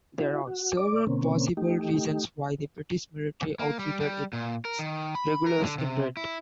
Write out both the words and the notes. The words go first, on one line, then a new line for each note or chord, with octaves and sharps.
There are several possible reasons why the British military outfitted its Regulars in red.
E4 F#4
F#4
D5 D6
B2 D3 A#3 C4 C#4
A3 D#4 G4
A#3
G3
G3
A#2
A#4
D#3
B5
A#4
D3
C3
E4